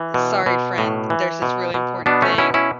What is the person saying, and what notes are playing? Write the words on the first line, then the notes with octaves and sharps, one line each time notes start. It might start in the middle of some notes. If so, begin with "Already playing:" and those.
sorry, friend. There's this really important thing."
Already playing: E3
B2
B2
A2
E3
B2
B2
B2 B3 D4
A3 C#4
B2 C#4 E4
C#4 E4